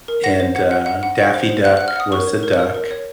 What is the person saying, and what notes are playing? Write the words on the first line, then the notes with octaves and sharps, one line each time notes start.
and, uh, Daffy Duck was the duck.
A#4
F#5 A#6
C5
F#5
F#5
F#5
F#5
F#5
C5
C5
F#5 F#6
F#6
F#5
F6
F#5 D#6
A#4 C#6
C#5
A#4
C#5
A#4
C#5